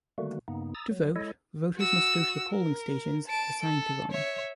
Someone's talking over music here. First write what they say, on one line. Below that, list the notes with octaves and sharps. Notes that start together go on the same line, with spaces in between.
To vote, voters must go to the polling stations assigned to them.
D3 D#3 G3 A3 A#3 F#4
G2 C#3 A#3 B3 D#4
A#5 D#6 E6 A6
F#3
G#3 E4 A4 C#5 D#5
F#4 E6
A#4
A5 D7
A4
C#5 E5